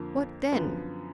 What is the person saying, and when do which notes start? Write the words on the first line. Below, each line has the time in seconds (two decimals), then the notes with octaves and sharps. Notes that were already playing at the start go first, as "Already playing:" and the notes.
What then?
Already playing: F2 D3 F3 A#3
0.52 F#2 D3 F3 B3